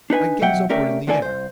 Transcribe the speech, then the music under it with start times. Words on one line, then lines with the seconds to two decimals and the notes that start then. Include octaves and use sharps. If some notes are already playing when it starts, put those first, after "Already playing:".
I gaze upward in the air.
0.10 D4 D#4 B4 G#5
0.41 B2 F#3 E5 F#5 G5
0.69 A3 C#4 G4 A#4 D5 E5
1.07 D2 A2 D4 A4 D5 G#5
1.22 C2 C5